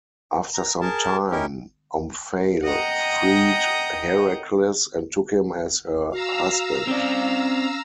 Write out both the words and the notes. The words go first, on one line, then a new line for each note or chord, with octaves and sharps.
After some time, Omphale freed Heracles and took him as her husband.
A#5
G#4 A#4 A5
C#4 D#4 E4 G4 A#4
D#5 F#5 G5 A#5 D#6
F#4 F5 A#5 E6
C4 C#4 D5